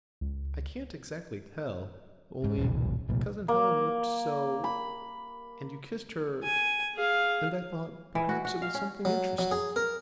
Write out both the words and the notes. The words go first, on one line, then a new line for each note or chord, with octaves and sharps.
"I can't exactly tell--only Cousin Helen looked so;--and you kissed her;--and I thought perhaps it was something interesting."
C#2
G#2
D#1 B1
C2 A#2
A#3
B5
G#5
G#4 F5
E3
F#4
F#4
F5
C#4
F#3
F#3
G#4
A#4